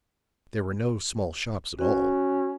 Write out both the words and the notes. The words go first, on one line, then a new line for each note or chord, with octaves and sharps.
There were no small shops at all.
C#4 F#4